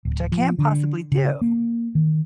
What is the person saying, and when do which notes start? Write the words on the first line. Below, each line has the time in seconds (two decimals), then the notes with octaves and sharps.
Which I can't possibly do.
0.05 D1
0.32 F3
0.59 D3
1.12 C#3
1.41 A#3
1.95 D#3